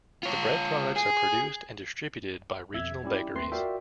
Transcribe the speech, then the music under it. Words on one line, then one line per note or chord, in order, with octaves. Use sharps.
The bread products are produced and distributed by regional bakeries.
F4 C#5
G#4
G#1 F2 E5 E6 G#6
G3 C#4 E4 G4
D#2 A3 C4 B4 C6 C7
F4 F#4 A#4 D5 E5 G5